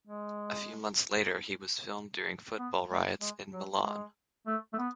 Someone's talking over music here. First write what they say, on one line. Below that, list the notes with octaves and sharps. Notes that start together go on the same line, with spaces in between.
A few months later he was filmed during football riots in Milan.
G#3
B3
G#3
G#3
F#3
G#3
A3
A3
B3